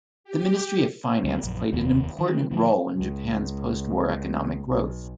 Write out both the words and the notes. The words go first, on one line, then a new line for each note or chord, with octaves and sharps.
The Ministry of Finance played an important role in Japan's postwar economic growth.
G4
D2 G3
A#1 F#2
F1 D#2 B3
D#3 E3
D3 F3
C#2
B1